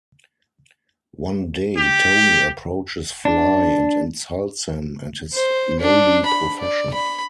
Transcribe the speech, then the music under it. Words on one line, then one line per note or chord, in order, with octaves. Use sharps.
One day, Tony approaches Fly and insults him and his lowly profession.
G4
D4
C5
D4
B5
D5
B5